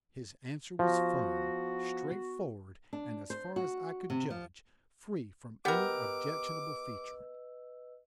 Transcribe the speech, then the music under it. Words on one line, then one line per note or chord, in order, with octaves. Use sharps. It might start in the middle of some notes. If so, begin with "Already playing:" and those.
His answer was firm, straightforward, and, as far as I could judge, free from any objectionable feature.
F3 B3 F#4
D4
C5
F#4
C3
F3
B3 G4 A#4 B4 D#5 D6 E6